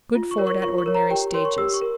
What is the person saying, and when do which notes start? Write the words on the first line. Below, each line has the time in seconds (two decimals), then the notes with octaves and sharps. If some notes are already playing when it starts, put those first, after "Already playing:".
Good ford at ordinary stages.
0.15 F4
0.31 C#6
0.38 A#4 C#5
0.47 C#6
0.62 F4 C#6
0.78 C#6
0.86 A#4 C#5
0.95 A#5
1.10 G4 G5
1.34 A#4 C#5 C6
1.45 C#6
1.58 G4 E6
1.74 C#6
1.81 A#4